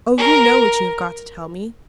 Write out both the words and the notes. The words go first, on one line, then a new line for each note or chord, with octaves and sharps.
Oh, you know what you have got to tell me!
A#4